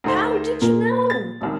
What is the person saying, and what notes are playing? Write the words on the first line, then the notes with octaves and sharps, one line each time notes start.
"How did you know?"
D2 D#4 C5
A#2 A#4
A6
E1 C2 D#3